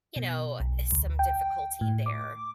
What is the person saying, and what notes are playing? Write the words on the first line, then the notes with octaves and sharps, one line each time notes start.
you know, some difficulty there
B2
B1
D2
G5
A2
D6